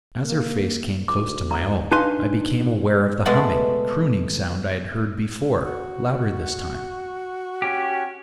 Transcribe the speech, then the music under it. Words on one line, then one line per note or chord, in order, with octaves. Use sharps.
As her face came close to my own, I became aware of the humming, crooning sound I had heard before, louder this time.
A#3
D2 D6
A#5
D4 D#4 B4 F5 G#5 C6
B2 G#3 A3 B3 D5 F#5
F#4
C#4 G4